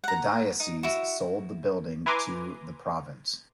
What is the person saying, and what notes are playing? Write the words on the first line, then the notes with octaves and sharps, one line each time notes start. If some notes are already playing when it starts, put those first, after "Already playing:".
The dioces sold the building to the Province.
F#5 A#5
D#4
E4 F#4
E4 B4 G#5 A#5 C6 D6